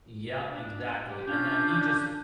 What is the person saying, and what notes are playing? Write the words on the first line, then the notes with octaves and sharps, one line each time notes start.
Yep, exactly, and then he just
D4
G4
C#4 D4 F4 G6